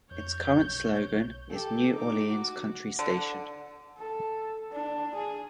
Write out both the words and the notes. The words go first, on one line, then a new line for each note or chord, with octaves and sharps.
Its current slogan is New Orleans Country Station.
F2 C#5 G6
B1
G4 A4
D#4 D6
F#4
D3
A4
D4
G#4